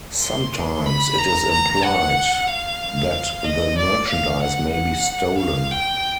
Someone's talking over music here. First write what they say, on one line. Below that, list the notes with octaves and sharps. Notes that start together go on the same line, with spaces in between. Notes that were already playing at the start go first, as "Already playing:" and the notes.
Sometimes, it is implied that the merchandise may be stolen.
C6
C6
B5
A#5
A#5
F#5
F5
D#5
D5
F5
F#5
F#5
F5
G5